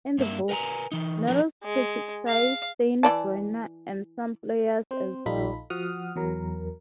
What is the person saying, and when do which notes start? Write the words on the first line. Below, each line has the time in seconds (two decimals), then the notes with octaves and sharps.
In the book, Nettles criticized Steinbrenner and some players as well.
0.18 G2 A#3 G4 E5
0.49 A#4 B4 F#5 G#5 A#5
0.92 E3 D#4
1.27 F3 F#3 D4 A#4
1.63 G#3
2.27 F5
3.03 E3 D5 A5
4.91 C4 C5
5.26 A#1 D#4 F4 A4 B5
5.70 F3 F#4 F#5 D#6 F6
6.16 E2 F#3 A#4